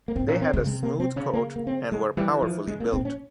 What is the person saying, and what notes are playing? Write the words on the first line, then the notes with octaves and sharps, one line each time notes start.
They had a smooth coat and were powerfully built.
A#3
G#2 C4
A#2 C#4
C4
C#3 G#3
C3 G#3
A#3
C4
C#3 C#4
A#3
A#3
C4
G#3
E3 G3
F3
C#3 G#3
C3 A#3
A#2 C4
C#4